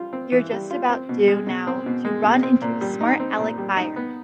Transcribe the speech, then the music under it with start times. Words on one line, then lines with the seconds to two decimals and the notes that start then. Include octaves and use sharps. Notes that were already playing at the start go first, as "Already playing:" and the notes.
You're just about due now to run into a smart-Alec buyer.
Already playing: G3 F4
0.13 C4
0.32 E3
0.52 G3
0.71 F4
0.89 C4
1.09 B2
1.28 G#3
1.47 B2
1.67 C4
1.86 B2
2.05 G#3
2.24 B2
2.43 C4
2.62 A#2
2.81 G3
3.01 D#4
3.20 C4
3.38 A#2
3.58 G3
3.77 D#4
3.96 B3